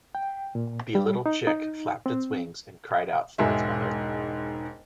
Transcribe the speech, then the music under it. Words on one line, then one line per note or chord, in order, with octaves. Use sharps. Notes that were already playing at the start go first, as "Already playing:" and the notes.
The little chick flapped its wings and cried out for its mother.
G5
A#2
G3
D#4
D#4
C4
E1 G#2 G#3 E5